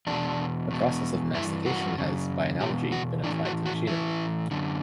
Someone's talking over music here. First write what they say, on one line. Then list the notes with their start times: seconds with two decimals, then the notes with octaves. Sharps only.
The process of mastication has, by analogy, been applied to machinery.
0.07 E2 B2 D4
0.71 E2 B2
1.34 G2 E3 E4
1.66 F#4
1.98 F#2 C#3
2.61 E2 B2 G4
2.92 F#4
3.24 A2 E3 D4
3.45 F#4
3.66 F#4
3.87 A2 E3 E4
4.51 F#2 D3